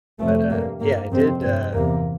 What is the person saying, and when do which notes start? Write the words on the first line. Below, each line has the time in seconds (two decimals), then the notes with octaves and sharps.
But, uh, yeah, I did, uh
0.19 F2 C3 A3
0.50 G2 A#3
0.80 G2 A#3
1.11 F2 C3 C4
1.42 G2 C4
1.73 E2 C3 A#3